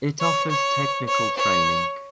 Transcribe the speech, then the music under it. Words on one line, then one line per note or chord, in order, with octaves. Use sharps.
It offers technical training.
C#5
C#5
C#5
C#5